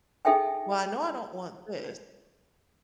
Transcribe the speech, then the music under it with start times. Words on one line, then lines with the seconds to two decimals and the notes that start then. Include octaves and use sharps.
"Well, I know I don't want this."
0.25 D#4 G#4 A4 E5 G5 G#5